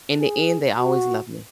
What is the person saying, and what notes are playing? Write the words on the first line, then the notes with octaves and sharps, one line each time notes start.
in the end, they always love me.
G#4
F#4